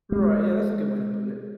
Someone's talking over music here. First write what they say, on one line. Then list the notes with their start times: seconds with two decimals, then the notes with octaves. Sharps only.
Right, yeah. That's a good way to put it.
0.12 G#3